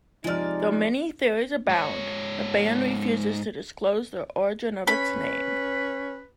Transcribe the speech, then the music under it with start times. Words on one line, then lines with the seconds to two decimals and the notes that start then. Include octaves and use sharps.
Though many theories abound, the band refuses to disclose the origin of its name.
0.24 C3 F3 G#3 D#4 D5 F6
1.69 G#2 C#5
4.87 C#4 B4 B5